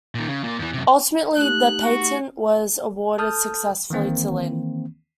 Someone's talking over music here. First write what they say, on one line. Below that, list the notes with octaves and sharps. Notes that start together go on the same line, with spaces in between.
Ultimately, the patent was awarded successfully to Linn.
A#2 D#3
C#3
A#2 A#3
E2 E3
F#2 C3
A3 D#4 G4 F#6
F#4
A4 A5 D#6 F6 G6
D#3 E3 A#3 C4